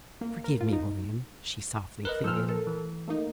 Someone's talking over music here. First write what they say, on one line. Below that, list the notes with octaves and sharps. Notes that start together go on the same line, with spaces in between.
"Forgive me, William," she softly pleaded.
A#3
A#4
F4
D#4
A#4 B4 D#5 F#6
A#2 F3 A4 E6 F6
A3 A4 A#4
E3
A3 A#3 D#4